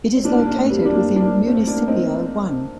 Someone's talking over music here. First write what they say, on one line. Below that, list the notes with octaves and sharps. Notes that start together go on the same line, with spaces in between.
It is located within Municipio I.
C4
A#3 D4
A#3 D4
A3 C4
G3 A#3
A#3 D4
A#3 D4
A3 C4
A#3 D4
C4 D#4